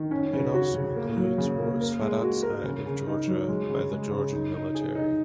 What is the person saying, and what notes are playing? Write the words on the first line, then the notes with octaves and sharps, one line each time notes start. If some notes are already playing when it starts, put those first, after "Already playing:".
It also includes wars fought outside of Georgia by Georgian military.
Already playing: D#3
C#4
C#3
F#4
C#3
A#3
F#3
C#3
A#3
A#4
G#3
F#4
A#4
C#3
C#3
D#4
F#3
G#3
C#3
G#3
C#3
D#4
D#4
G#4
D#4